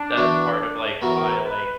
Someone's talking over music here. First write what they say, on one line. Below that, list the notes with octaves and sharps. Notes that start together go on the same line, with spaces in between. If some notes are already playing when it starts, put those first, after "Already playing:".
That's part of, like, why, like,
Already playing: D4
E3 B3 F#4
E3 B3 F#4 A#4
B4